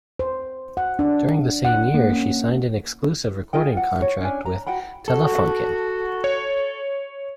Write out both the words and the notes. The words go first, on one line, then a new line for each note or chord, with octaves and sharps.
During the same year, she signed an exclusive recording contract with Telefunken.
C5
F#5
D4
F#5
A#3
C#4
F4 G#4 D#5 G5
F#5
C#5
C#4 D4 G#5
A#5
F#4 F#5 G5 B5
F#4 A4
C#5